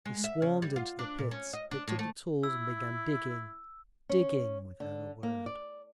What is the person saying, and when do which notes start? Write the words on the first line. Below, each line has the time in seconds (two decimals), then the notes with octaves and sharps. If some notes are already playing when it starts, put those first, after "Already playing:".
They swarmed into the pits, picked up the tools and began digging, digging, without a word....
0.06 G#3
0.24 E5
0.42 C#3
0.62 G3
0.76 F4
0.99 D4
1.19 A#2
1.31 C#4
1.53 D#5
1.71 D4
1.88 A2
1.99 A3
2.43 E4 E6
4.09 C#4
4.80 D3
5.23 A#3
5.46 D5